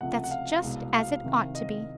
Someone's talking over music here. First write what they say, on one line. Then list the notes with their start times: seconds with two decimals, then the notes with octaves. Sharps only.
That's just as it ought to be.
0.01 C#2 C3 F3 A3 F#5
0.24 F#5
0.31 F5
0.62 C2 B2 G#3
0.93 F5
1.24 C2 C3 D#3
1.55 D#5